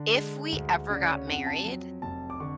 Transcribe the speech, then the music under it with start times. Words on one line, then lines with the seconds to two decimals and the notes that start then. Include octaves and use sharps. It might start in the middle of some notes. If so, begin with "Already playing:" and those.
if we ever got married"
Already playing: D3
0.15 G#3
0.52 D2
0.90 C#3 D5
1.08 C#5
1.27 F2 F#5
1.47 A5
1.65 F#3
2.02 F1 A5
2.30 D6
2.40 D3 C#6